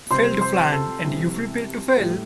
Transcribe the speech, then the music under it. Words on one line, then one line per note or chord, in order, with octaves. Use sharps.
Fail to plan, and you Prepare to fail.
C3 G3 C5 C6
C5 C6
A4 A5
C3 E3 G3
A2 G3